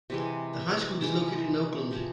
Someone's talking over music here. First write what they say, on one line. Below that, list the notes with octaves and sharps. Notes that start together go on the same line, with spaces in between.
The high school is located in Oakland.
C3 E3 G#3
C3 E3 G#3
C3 F3 G#3